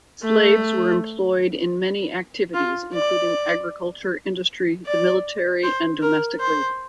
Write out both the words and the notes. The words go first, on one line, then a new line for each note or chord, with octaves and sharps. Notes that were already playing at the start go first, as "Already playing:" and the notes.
Slaves were employed in many activities, including agriculture, industry, the military, and domestic labor.
A3
F4
D5
D5
C5
A#4
C5